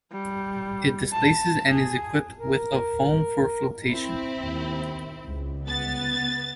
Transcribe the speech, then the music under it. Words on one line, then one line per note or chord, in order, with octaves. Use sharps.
It displaces and is equipped with of foam for flotation.
G3
A5
G#4
A#4
C4 E4
D#2
C#2
B3 A6